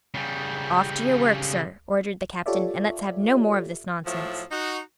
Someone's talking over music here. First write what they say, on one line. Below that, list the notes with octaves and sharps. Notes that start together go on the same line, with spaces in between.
"Off to your work, sir," ordered the captain, "and let's have no more of this nonsense."
C#3 G3
F4 G4 A4 C#5 D5 E5
A2 F3 F#3 E5
D#4 F#4